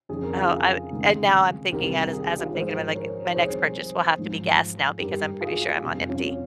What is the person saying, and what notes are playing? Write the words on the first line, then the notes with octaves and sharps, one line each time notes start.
Oh, I and now I'm thinking that is as I'm thinking about, like, my next purchase will have to be gas now because I'm pretty sure I'm on empty.
F2 C#3 F3 G#4
A#4
F4 G#4
C#2 C3 D#3
C2 C3 D#3 G3 G4 A#4
G#4
G4
F4 G#4
G#2 F3 G#4 C5
A#4 C#5
C#5
C2 C3 F3 G#4 C5
G#2 F3
G2 G3 G4 A#4
F4 G#4
F2 C3 G3
C#4 F4